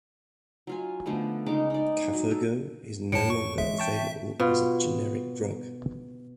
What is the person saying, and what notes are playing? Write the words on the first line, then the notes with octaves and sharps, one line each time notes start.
Cafergot is no longer available as a generic drug.
F#3 F4 G#5
D3 F3 A3 B3
C#3 G#3 D#4 D6
D#4 D5
F#3
A4
F2 A2 C#5 A5 C#7 D7
C#6
E3 G#3 C4 E5
G5 A5 C#6
B2 F4